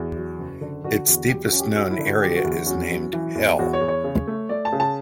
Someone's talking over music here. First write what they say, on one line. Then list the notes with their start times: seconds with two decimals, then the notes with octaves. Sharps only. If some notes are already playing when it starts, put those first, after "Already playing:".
Its deepest known area is named "Hell".
Already playing: E2 F#4
0.16 F#3
0.39 F#1
0.61 D3
0.84 D3 F#4
1.07 E2 F#4
1.29 F#3 G4
1.46 F#4
1.52 C#4
1.60 G4
1.75 C#4 F#4
1.91 E4
1.98 D3
2.06 F#4
2.22 F#3 G4
2.36 F#4
2.44 E2
2.52 F#4
2.66 C#4 F#4
2.90 F#3
3.13 E3
3.35 E2
3.59 E2 F#4
3.73 C#5
3.81 E2
3.88 C#5
4.04 C#3
4.27 A3
4.49 A3 D5
4.65 A5
4.72 C#3
4.80 A5